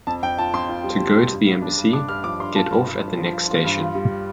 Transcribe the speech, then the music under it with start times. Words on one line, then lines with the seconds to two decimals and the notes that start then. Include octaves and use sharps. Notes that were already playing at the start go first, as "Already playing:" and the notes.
To go to the embassy, get off at the next station.
0.07 F2 A5
0.23 F2 G5
0.38 F4 A5
0.54 F2 C6
0.69 F4
0.84 G3
1.00 G3
1.16 G3
1.31 G2
1.47 G2
1.62 D4
1.78 G2
1.93 D4 D6
2.09 G2 F6
2.24 F3 D6
2.40 G2 C6
2.55 F4 A5
2.70 G2
2.87 G2
3.02 G2
3.18 F3
3.33 F4
3.48 F4
3.64 G2
3.79 F4
3.95 G3